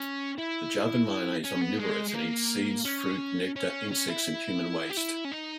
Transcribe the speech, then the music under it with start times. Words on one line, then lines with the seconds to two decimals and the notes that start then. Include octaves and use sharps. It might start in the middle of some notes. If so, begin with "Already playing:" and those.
The Javan myna is omnivorous and eats seeds, fruit, nectar, insects and human waste.
Already playing: C#4
0.38 E4
1.44 C#4
1.62 B3
1.79 G#3
2.08 G#3
2.14 A#3
2.85 C#4
3.56 C#4
3.91 C#4
4.08 E4
4.90 G4
4.97 E4
5.24 C#4
5.32 D#4